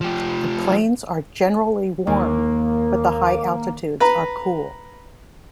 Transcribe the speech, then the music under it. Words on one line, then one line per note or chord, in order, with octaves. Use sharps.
The plains are generally warm but the higher altitudes are cool.
F3 G4
D#2 G#3 A#3
D6
B4 A#5